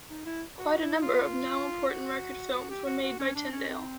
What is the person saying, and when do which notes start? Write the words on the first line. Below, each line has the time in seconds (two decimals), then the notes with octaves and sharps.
Quite a number of now-important record films were made by Tindale.
0.10 D#4
0.26 E4
0.58 F#4
0.80 E4
1.02 F4
1.89 F#4
2.53 F#4
2.70 G4
2.86 F#4
3.02 F#4
3.19 C#4
3.35 D4
3.51 C#4
3.68 C4